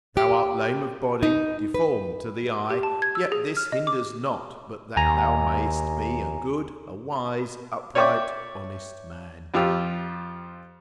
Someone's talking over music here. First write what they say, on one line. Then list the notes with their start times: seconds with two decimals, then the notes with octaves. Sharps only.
Thou art lame of body, deformed to the eye, yet this hinders not but that thou mayst be a good, a wise, upright, honest man.
0.17 G4
1.23 D#4
1.74 B4
2.70 G4
2.83 A5
3.02 G#6
3.15 E6
3.32 G#4
3.57 F6
3.72 D#5
3.87 D6
4.97 D#2 G#5 A#5
7.95 C#5 D5 E5 G5 C#6 D6
9.54 F2 F4 G4 E6